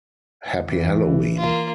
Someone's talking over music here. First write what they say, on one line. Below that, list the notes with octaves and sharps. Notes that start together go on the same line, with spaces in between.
Happy Halloween!
E3
A#3 F4